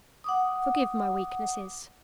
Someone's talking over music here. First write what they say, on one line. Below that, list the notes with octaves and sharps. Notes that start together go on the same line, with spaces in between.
Forgive my weaknesses.
F#5 D6 D#6